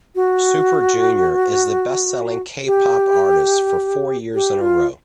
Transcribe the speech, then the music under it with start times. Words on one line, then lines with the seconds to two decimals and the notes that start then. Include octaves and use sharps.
Super Junior is the best-selling K-pop artist for four years in a row.
0.15 F#4
2.67 G4
4.34 G4
4.61 F4